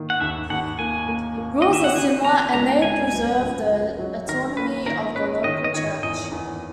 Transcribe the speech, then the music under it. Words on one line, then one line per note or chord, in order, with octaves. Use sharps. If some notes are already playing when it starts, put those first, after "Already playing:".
Rules are similar and they preserve the autonomy of the local church.
Already playing: D#3 A#3
F#5
D#2 E5
D#2 F#5
A#3 G#5
A#3
A#3
D#3 D#5
E5
F#5
C#3 G#5
B3 A#5
C#2 A#5
C#2 G#5
F#3
C#2
C#2
F#3
D#3 A#4
A#3 B4
D#3 A#4
C#4 B4
D#3 D#5
D#5
D#3 C#5
E2 D#5
E2